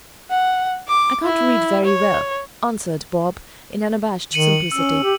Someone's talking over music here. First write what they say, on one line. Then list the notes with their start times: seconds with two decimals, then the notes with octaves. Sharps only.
"I can't read very well," answered Bob, in unabashed simplicity.
0.31 F#5
0.88 D6
1.25 E4
1.85 C#5
4.33 D#3 C#7 D#7 F#7
4.72 C#4 E6
5.03 G4